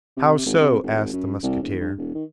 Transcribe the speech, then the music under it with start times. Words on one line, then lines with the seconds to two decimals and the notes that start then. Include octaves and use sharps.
"How so?" asked the Musketeer.
0.17 C3
0.46 G#1
0.60 C3
0.83 G#1
1.13 F#2
1.43 C2
1.63 E1
1.80 G2
1.98 E1
2.15 D#3